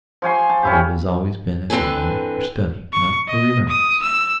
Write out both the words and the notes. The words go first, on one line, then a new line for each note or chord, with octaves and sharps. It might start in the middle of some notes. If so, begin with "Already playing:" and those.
But it has always been as a matter for study, not for remembrance.
F3 C#5 G#5 C6
A5
C#4 E4 G4
D3 E3 C4 A4 B4 G#5
C#6
D#5
D#6
E6